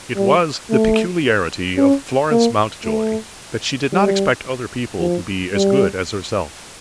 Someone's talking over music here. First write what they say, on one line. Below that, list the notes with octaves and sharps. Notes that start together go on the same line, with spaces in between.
It was the peculiarity of Florence Mountjoy that she did not expect other people to be as good as herself.
G3
A3
C#4
A#3
A3
G3
F3
G3